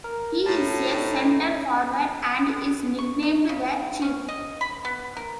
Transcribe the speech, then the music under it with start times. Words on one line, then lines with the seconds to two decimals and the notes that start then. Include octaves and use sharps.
He is a centre forward and is nicknamed the "Chief".
0.04 A#4
0.46 A2 A5
1.03 D#4
2.99 C#6
3.23 D#4
3.49 C#3
4.02 C#4
4.28 D#5
4.61 B5
4.85 B3
5.17 A#4